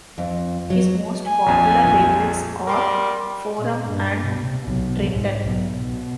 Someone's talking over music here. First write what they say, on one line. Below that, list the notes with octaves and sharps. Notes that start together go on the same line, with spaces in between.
His most popular labels are "Forum" and "Triton".
F2
F#3
G#5
A#1 F2
G3 A#4 C6 D6
A#2
G2
C3
B1
G#2
B1
B2